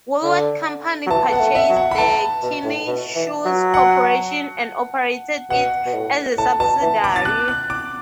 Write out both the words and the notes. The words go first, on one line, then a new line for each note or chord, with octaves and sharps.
Woolworth Company purchased the Kinney Shoe Corporation and operated it as a subsidiary.
D3
F#3
E3 A5
B3 F#5
A3
E5
F#3
F#5
B5
E3 A5
B2
A2
B2
E3
F#3
F#5
B2 F#5
B2
A2
A2 A5
B2 A5
E3
D6
A6
F#6
F#6
D6